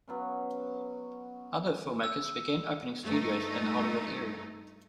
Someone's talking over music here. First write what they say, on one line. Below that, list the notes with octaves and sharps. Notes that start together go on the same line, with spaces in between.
Other filmmakers began opening studios in the Hollywood area.
F#3 B3 C#4
E6
G2 A3 D#4